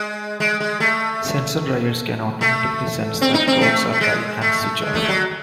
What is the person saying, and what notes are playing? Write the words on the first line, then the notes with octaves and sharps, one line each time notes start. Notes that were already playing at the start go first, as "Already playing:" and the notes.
Sensor dryers can automatically sense that clothes are dry and switch off.
Already playing: G#3
G#3
G#3
A3
A3
C4
D#4
C4
A3
A3
G#3
A3
G#3
A3
G#3
F#3